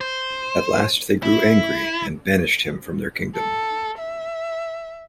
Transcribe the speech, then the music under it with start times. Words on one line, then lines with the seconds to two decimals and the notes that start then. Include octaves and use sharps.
At last they grew angry and banished him from their kingdom.
0.01 C5
1.23 E4
3.35 A4
3.98 E5